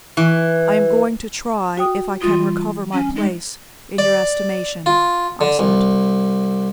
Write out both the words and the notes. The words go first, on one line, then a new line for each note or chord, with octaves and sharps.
"I am going to try if I can recover my place in your estimation," I said.
E3
F#4 G5 D#6
E3 G3 F4 D#6
C#4
G#3 D#4
D5
F4
D3
C2